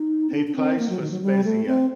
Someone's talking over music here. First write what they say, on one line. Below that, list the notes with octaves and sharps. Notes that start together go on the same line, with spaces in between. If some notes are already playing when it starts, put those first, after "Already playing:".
He plays for Spezia.
Already playing: D#4
C4
D4
D4
C4
A#3
F#3
D#3
F#3
G3
A3
C4